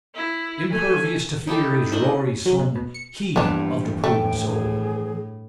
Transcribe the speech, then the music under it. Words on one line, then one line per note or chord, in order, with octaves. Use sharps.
Impervious to fear is Rory's son: he of the prudent soul.
E4
A3 G#5
D#4 E4 G4 A4
D4 E4 A#4 D#5
F#3
B2
B2
C#7
G2 E3 F3 A#3 B3 D4
A2 A3 G5
G#4